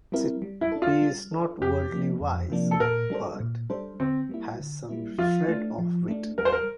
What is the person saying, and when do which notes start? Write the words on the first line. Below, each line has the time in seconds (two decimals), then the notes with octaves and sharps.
He is not "worldly wise" but has some shred of wit.
0.12 G3 C4 E4 A#4
0.42 G3
0.61 E4
0.72 D4 A4
0.82 F4
1.02 G3
1.31 D4 A4
1.61 F2 G4
1.91 C3 F3 A#3 D4
2.21 F2
2.50 C3 F3 A#3 D4
2.71 A4
2.80 A#2 A#4
3.10 G3 D4 A4 C5
3.40 A#2
3.70 G3 D4 A4 C5
4.00 D3 C4
4.29 G3 A#3 E4
4.59 D3
4.89 G3 A#3 E4
5.18 F3 F4
5.48 A3 D4
5.78 F3
6.08 A3 D4
6.38 G3 A#4
6.45 C5
6.52 A#4